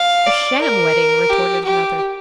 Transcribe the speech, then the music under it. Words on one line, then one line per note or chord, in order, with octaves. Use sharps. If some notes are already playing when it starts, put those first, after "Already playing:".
"A sham wedding," retorted another.
Already playing: F5
D5
A#4
G4
G4